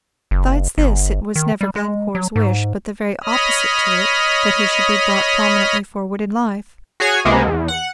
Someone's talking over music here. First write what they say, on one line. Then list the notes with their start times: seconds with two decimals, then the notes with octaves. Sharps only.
Besides this, it was never Glencore's wish, but the very opposite to it, that he should be brought prominently forward in life.
0.31 F#1
0.78 G1
1.36 D#3
1.61 G3
1.76 G#3
2.15 F#3
2.36 G#2
3.24 C#5 D#5 B5 D#6 F6
7.00 F#4 G#4 C#5 G#5
7.25 C#2 C3 G#3 A#3 B3
7.47 E2
7.68 F#5